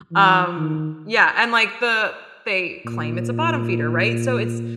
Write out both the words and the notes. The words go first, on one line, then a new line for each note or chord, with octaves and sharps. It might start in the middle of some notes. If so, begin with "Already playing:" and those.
um yeah, and like the they claim it's a bottom feeder, right, so it's
E3
D#3
A#2